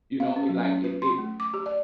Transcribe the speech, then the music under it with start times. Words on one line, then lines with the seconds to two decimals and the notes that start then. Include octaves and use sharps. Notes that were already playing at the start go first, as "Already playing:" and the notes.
You know, it like it it
0.20 F5
0.36 C#4
0.49 F#3
0.64 C#4
0.84 B4
1.02 C6
1.18 A3
1.40 D6
1.54 G4
1.66 D5